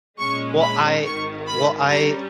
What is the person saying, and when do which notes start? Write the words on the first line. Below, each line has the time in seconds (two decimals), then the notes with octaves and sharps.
Well, I uh, well, I
0.19 A#2 G#3 C#4 C#6
0.62 B5
1.04 G#1 G#2 D#3 C#6
1.47 B5
1.90 G2 G3 C#4 A#5